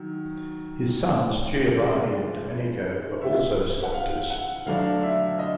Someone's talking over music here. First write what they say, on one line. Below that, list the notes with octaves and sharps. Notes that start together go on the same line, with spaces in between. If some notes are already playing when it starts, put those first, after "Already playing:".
His sons Giovanni and Domenico were also sculptors.
Already playing: D#3 F#3
D2 C#3 F3 G#3 D5
E5
F#5
F5
F#5
D2 D3 F#3 A3 D4 F5
E5
D#5